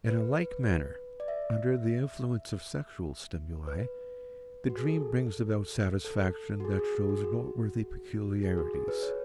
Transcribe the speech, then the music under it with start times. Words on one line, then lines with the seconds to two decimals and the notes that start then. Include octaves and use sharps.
In a like manner, under the influence of sexual stimuli, the dream brings about satisfaction that shows noteworthy peculiarities.
0.09 B4
1.20 D5
1.28 E5
3.67 B4
4.70 F#4
4.77 G#4
4.85 A4
6.05 A4
6.60 F#4
6.65 G#4
6.79 G#4
6.95 G#4
7.09 F#4
7.24 F#4
8.43 G#4
8.58 F#4
8.74 G#4
8.88 B4
9.03 C#5